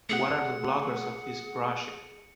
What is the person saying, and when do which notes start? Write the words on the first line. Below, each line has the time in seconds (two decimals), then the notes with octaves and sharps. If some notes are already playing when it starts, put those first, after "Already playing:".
What are the blockers of this project?
0.09 A3 G#4 F#5 C#7